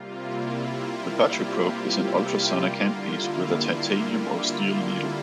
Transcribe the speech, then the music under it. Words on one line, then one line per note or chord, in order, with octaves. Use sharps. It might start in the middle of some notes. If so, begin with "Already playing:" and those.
The phaco probe is an ultrasonic handpiece with a titanium or steel needle.
Already playing: C3 G3 A#3 F4
E4
G4
D3 G3 A#3 F4
E4
F4
E4
F4
E4